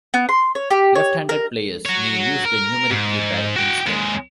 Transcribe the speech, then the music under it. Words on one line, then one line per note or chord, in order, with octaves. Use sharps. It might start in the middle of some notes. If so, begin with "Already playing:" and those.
Left-handed players may use the numeric keypad instead.
B3
C6
C#5
G4
C#5
A#4
F#4 C#5
A#4
G#2
F#4 G5
D#2 G#3